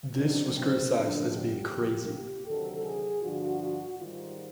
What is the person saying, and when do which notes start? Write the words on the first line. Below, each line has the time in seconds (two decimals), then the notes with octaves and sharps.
This was criticised as being "crazy".
0.17 D2 C3 D#3 F#3 D4
0.55 C4
0.93 F#2 D3 F3 D4
1.31 G4
1.69 A#2 F3
2.07 G4
2.45 D2 C3 D#3 F#3 A4
2.83 G#4
3.21 G2 D3 F3 F#4
3.96 G#2 D#3 G3 F4